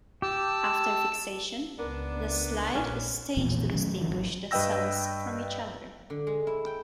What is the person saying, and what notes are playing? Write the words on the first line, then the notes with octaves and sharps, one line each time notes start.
After fixation, the slide is stained to distinguish the cells from each other.
G4 A5 E6
C#2 B3 D4 A#4
A#1 C#4
E1 A#1 E2 A#2
D#3 F#3 A3 C#4
D3 E3 F3
G#1 C#3 F#3
G2 B4 D#5 G5 E6 A#6
D3
G#3
E4
G5